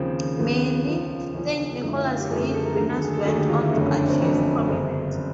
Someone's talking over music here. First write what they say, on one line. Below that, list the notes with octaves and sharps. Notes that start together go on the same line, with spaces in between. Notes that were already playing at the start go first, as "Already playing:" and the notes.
Many "Saint Nicholas League" winners went on to achieve prominence.
Already playing: D#2 C#3 F3 C4
D#2 C#3 F3 B3
C#2 C#3 F3
C#2 C#3 F3 C#4
F#2 D3 F3 A3 D#4
E4
F4
G4
F#2 D3 F3 A3 G#4
A#4
A4
A#4
D#2 D3 F#3 A3 A#4
A4
G#4
A4
D#2 D3 F#3 A3 G#4
G4
F4
E4
F#1 F2 D3 F#3 A3 D4
C#4
D4
C4
F#1 F2 D3 F#3 A3 C#4
G1 F#2 C#3 C4
C#3